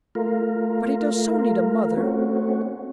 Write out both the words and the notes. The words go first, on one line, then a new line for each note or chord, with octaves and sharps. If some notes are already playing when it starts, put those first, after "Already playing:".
"But he does so need a mother."
A3 F4 A#4
A3 C4 C#4 F#4